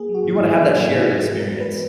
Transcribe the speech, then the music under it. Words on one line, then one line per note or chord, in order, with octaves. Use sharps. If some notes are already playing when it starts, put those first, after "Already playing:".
You wanna have that shared experience.
Already playing: A#3 G#4
F#3
F#4
G#2
G#2 E4
A#3 D#4
F#3 F#4
G#2 D#4
E4
G#2
G#3 F#4
E3
A#4
B3
B4